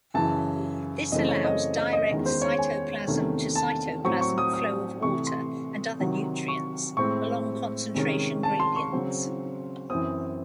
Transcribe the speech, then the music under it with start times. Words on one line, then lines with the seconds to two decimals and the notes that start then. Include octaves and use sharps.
This allows direct cytoplasm-to-cytoplasm flow of water and other nutrients along concentration gradients.
0.14 F#2 C#3 E3 A5
1.12 F#2 C#3 E3 A3 C4 D#5
1.29 C#5
1.44 D#5
1.77 D#5
1.93 D#5
2.10 E2 D#3 G#3 C#4
2.26 C5
2.42 C#5
2.59 G#5
3.07 E2 C3 D#3 A3 C#4
3.56 A5
4.04 A2 F#3 C4 C#6
4.21 C#6
4.38 D#6
4.53 D#6
5.02 C3 E3 A3 C#6
5.27 C6
6.00 C3 D#3 F#3
6.48 C#6
6.97 A2 G#3 C4 C#6
7.95 C3 D#3 G#3 C#4
8.43 A5
8.60 C6
8.76 C#6
8.92 C#3 F#3 C4
9.90 F#2 E3 C4 D#6